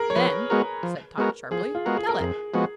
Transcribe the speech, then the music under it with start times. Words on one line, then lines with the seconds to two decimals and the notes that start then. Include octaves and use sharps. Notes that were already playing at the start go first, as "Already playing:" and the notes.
"Then," said Tot, sharply, "tell it!"
Already playing: G#4 A#4
0.10 C#5
0.16 F3 B4
0.50 G#3 B3 F#4 A#4
0.83 F3
1.18 G#3 B3 F#4 A#4
1.51 F3 G#4
1.75 F4
1.86 G#3 B3 F#4 A#4
1.97 G#4
2.09 A#4
2.20 F2 G#4
2.54 F3 G#3 B3 F#4